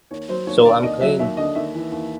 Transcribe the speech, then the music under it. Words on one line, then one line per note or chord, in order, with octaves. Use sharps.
So I'm clean.
D#2 C#5
F#3 C5
D#2 C#5
D3 D5
D#2 D#5
F#3 E5
D#2 E5
D3 D#5
D#2 E5
E3
D#2